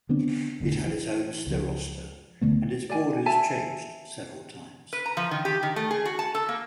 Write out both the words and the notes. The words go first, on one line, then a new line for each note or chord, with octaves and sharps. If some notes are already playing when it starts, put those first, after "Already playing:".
It had its own starosta, and its borders changed several times.
D3 B3 C4 D4
E1 B1 A2 D3
E3
C#2 F3
C#2 D3 A3 B3
D5 G#5
E5 G#5 A5
B4
A#5
F3
D#3
G4
D#3
A3
G#4
F#4
A5
A4
A#3